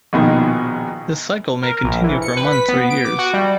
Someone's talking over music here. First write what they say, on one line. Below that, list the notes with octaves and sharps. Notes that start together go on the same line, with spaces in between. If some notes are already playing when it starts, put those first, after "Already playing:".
This cycle may continue for months or years.
A#1 B2 D#3
A#4
A#1
E3
C#7
B4
B6
B3
D7
D6
F#4
G3